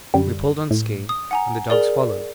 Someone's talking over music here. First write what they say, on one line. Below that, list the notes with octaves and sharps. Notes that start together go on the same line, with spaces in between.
We pulled on ski and the dogs followed.
F#2 D3 G3
A2
D#6
F#5 G#5 A#5
G#4 A#4 D5